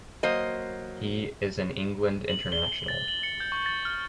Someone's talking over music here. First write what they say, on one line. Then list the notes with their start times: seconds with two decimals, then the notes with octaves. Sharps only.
He is an England international.
0.23 F#3 A#3 C5 D#5
2.29 F#7
2.52 G7
2.88 A6
3.08 F#7
3.23 C#7
3.40 G6
3.52 C#6
3.66 A6
3.85 F6